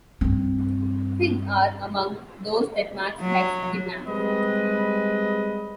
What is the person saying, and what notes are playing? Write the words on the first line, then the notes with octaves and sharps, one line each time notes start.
Pig are among those that Max has kidnapped.
G2 C4
F#3
G3 G#3 C4 B4 D#5